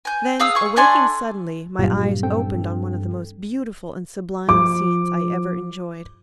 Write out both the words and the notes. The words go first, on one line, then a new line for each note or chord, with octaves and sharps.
Then, awaking suddenly, my eyes opened on one of the most beautiful and sublime scenes I ever enjoyed.
G#5 G6
G#4 F5 D#6 E6
G#4 C#6
A3 D4 G#5 C6
G2 A#2 F#3 A#3 F4 G4
C4 A4 G5
F3 D6